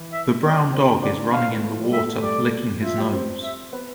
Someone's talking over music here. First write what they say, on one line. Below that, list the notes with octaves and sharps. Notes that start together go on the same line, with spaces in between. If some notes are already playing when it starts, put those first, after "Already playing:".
The brown dog is running in the water licking his nose.
Already playing: E3 E4
E5
D5
D4
C3 C4
B2 B3
D3 D4 D5
D4
C4 F5
B3
A2 A3
A2 A3
F3
G3
A2 A3 E5
A3
G3 D5
F3 F4 E5
G3 G4
C4 C5
E5
B3 B4